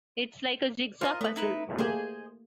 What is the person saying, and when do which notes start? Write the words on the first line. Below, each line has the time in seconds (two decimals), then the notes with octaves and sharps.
It's like a jigsaw puzzle.
1.01 F4 A#4 C5 D#5
1.21 A3 B3 B4
1.36 D#4 E4 B4
1.78 A3 A#3 G4 G#4 C5 D#5